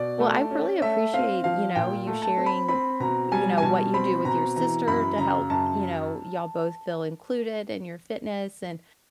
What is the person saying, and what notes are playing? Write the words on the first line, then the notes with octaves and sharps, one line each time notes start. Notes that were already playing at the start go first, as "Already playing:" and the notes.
Well, I really appreciate, you know, you sharing, y you know, what you do with your sister to help, you know, y'all both feel included in your fitness, and
Already playing: B2 D5
A3
C#4
A3 E5
C4 F5
F3 F5
A#2 G5
A3
A5
C4
B5
C4 B5
B2 A#5
G3 G#5
G#5
B2 A5
C4 B5
B2 A#5
E3 A#5
F#2 B5
C#3 A#5
F#2 A5